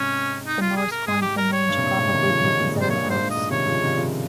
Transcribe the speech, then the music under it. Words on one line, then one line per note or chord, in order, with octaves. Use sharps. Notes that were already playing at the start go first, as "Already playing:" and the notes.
The Norse coin from Maine should probably be considered a hoax.
Already playing: G#2 C3 C#4
D#4
F4
G#4
A#4
G#2 G#4
G4
A#4
C#5
G2
C3
G2 A#2
G#2 C3
C3 D#3
C#3 F3
C3 D#3
A#2 C#3
C#3
G#2 C3
C5
G2 A#2 C#5
G#2
C5
G2
D#5
G#2
C3 D#3 C#5
C#3 F3
C3 D#3
C#3 F3